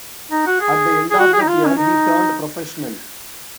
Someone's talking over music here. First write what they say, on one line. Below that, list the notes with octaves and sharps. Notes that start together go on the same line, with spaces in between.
At the end of that year he turned professional.
D#4
F#4
G#4
G#4
F#4
G#4
D#4
F4
C#4
D#4